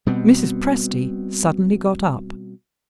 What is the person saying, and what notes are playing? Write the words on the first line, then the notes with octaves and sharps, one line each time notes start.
Mrs. Presty suddenly got up.
B2 G3 B3 C4